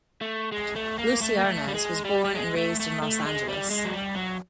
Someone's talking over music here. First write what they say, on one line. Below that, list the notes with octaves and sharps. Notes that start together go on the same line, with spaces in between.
Lucie Arnaz was born and raised in Los Angeles.
A3
G#3
A3
A#3
A3
A#3
A3
G3
G#3
G3
G3
G#3
A3
A3
A3
G#3
G3
G#3
F#3
G3
F#3